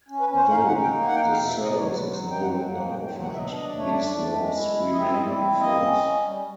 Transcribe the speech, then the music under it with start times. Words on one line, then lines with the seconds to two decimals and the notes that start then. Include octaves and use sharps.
Though the service is no longer offered, these laws remain in force.
0.09 C#4
0.20 B4
0.29 C#4
0.36 C5
0.51 D#4 F5
0.67 F#5
0.72 D#4
0.82 G5
0.93 A#3
1.08 F#5
1.15 D#4 G5
1.31 F5
1.36 B2
1.46 E5
1.57 B2
1.63 D#5
1.74 D5
1.79 F#3 C#5
1.95 B4
1.99 F#3
2.11 C5
2.21 D#4
2.31 G5
2.42 F#3 F#5
2.58 G5
2.63 A#3
2.73 F#5
2.84 A#2
2.90 G5
3.05 F#3 G5
3.22 F#5
3.27 B2
3.33 E5
3.37 D#5
3.48 D4
3.54 D#5
3.65 A3 D5
3.78 C#5
3.91 D4 D5
4.11 A3
4.33 G#3
4.54 E4
4.76 E4
4.92 D#5
4.96 C4 E5
5.13 D#5
5.19 E4
5.28 D5
5.39 C4
5.61 A#3 D#5
5.82 C#4
6.03 C#4
6.24 G3